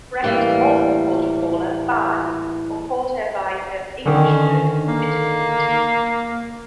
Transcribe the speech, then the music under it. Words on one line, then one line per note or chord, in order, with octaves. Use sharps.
Brecht also called Paula "Bi" or called her by the English word "Bittersweet".
A2 E3 G3 A#3
D3 D#3 C#4
A#3